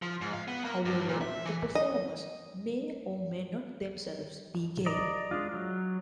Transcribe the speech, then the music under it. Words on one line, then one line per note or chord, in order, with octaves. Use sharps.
However, the performers may or may not themselves be gay.
F3
G#2
F5
B3
A#3
G2
A#2
E5
E3
D#5
D5 D#5 A#5
G#3 D4 F4
F#3